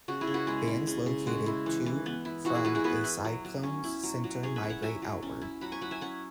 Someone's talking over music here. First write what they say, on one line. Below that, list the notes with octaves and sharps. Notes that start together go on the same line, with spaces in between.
Bands located to from a cyclone's center migrate outward.
C#3 F#4
E4 G#4
C#3
F#4 B4
G#3 E4 G#4
E4
C#3
C#3
G#3 F#4
E4
E3
E3
B3
E4
E3 F#4
E4 G#4
E3 F#4 B4
E4 G#4
B3 F#4 B4
E4
F#3
F#3
C#4
E4
F#3
F#3
C#4 G#4 C#5
B4 E5
E4
C#5 F#5
F#3 E5 G#5
F#3
C#4
E4
F#3 F#5 B5
G#5 C#6
F#3 F#5 B5
E5 G#5
C#4 C#5 F#5